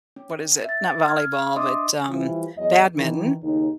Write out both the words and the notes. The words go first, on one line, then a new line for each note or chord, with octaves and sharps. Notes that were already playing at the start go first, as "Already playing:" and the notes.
what is it? Not volleyball, but, um, badminton,
C#4
E5 A6
F6 G#6
D4 D#5 E5 C6 D6 D#6
E3 F3 G3 E4 F4
E2 F#3 D#5
D#3 E3
D#2 C#3 D#4